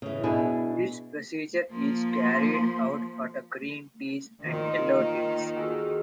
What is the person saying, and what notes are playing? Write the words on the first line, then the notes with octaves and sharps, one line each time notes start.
This procedure is carried out for green teas and yellow teas.
C#3 E3
B2 D4 E4 G#4
F3 A#3
A#2 D#3 C5
F#4 G#4 A4